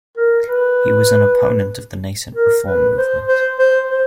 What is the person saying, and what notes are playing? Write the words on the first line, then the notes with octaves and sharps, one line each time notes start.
He was an opponent of the nascent Reform movement.
A#4
B4
A#4
B4
C5
C5
C5
C5